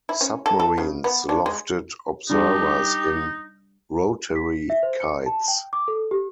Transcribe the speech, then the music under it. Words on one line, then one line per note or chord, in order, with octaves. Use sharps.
Submarines lofted observers in rotary kites.
E4
C#4
A4
A4
C#3
B3
D4
G#3
G3 D4 D#4 G4
B6
E5
C5
C#7
A5
G5
D6
A4
G4